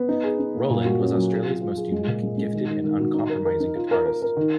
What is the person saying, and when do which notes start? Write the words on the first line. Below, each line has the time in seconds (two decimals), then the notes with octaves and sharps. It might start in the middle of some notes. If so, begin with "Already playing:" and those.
Rowland was Australia's most unique, gifted and uncompromising guitarist.
Already playing: B3
0.09 D#4
0.23 G#4
0.39 D#4
0.54 A#3
0.70 A#2
0.85 F#4
1.00 C#4
1.16 F#3
1.31 G#4
1.46 F4
1.61 F4
1.77 G#4
1.92 G#3
2.07 A#2
2.23 G#3
2.38 G#3
2.53 D#3
2.69 D#3
2.84 D#3
2.99 F#4
3.14 D#4
3.29 A#4
3.45 A#4
3.60 D#4
3.76 F4
3.91 A#4
4.06 A#4
4.22 A#4
4.37 D#3